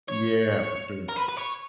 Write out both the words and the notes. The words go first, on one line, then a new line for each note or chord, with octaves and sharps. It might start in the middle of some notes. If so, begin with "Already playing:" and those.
Yeah, for sure.
C#5
A#4
B4
B4
C#5